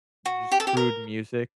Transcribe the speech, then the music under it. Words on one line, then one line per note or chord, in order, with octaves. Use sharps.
just crude music
F#4
G4
A4
G4
A#4